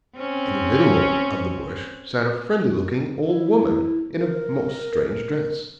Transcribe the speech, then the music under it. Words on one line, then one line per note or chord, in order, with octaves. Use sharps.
In the middle of the bush sat a friendly-looking old woman in a most strange dress.
C4 C#4
E4
A#4
A#4